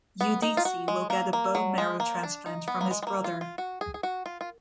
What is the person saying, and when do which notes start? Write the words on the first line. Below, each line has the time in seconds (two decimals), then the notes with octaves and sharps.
Udeze will get a bone marrow transplant from his brother.
0.21 B3
0.42 D#4
0.57 F4
0.65 F#4
0.88 G#3
1.10 A#3
1.33 A#3
1.55 F#3
1.78 G#3
2.00 A#3
2.23 D4
2.46 D#4
2.68 B3
2.81 A#3
2.91 G#3
3.02 G#3
3.07 A#3
3.24 F4
3.41 F4
3.58 F#4
3.81 G#4
3.94 G#4
4.03 F#4
4.26 F4
4.41 F4